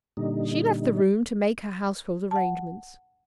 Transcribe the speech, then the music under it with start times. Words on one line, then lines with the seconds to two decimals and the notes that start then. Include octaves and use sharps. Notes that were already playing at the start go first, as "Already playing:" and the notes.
She left the room to make her household arrangements.
0.17 A#2 D3 G3 D#4
2.31 F#5 A5